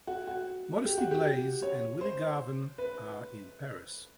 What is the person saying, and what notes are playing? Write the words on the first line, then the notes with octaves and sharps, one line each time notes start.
Modesty Blaise and Willie Garvin are in Paris.
F#4
F#4
G4
F#4
G4
C#5
C5
B4